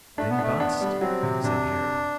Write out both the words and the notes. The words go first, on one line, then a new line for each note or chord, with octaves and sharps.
"Then bust," said Harry.
A3 D4
B3
A3 D4
B3 D4
G3
F#3 C4
C3
C3 D4